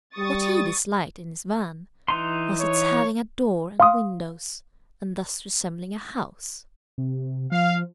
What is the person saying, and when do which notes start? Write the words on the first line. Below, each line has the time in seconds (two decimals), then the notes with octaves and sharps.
What he disliked in his van was its having a door and windows, and thus resembling a house.
0.17 G3 C#6 D#6 A6
2.08 E3 D#4 C6
2.60 C#5
3.80 F5 C6 D#6
6.98 C3
7.52 F3 F5